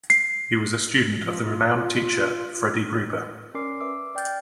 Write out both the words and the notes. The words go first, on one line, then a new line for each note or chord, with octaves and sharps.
He was a student of the renowned teacher, Freddie Gruber.
C7
F3
F4
C#4 A#4 D5 C6 D6 C7
B4 E5 D6 E6
D5 G5 F6 G6 A6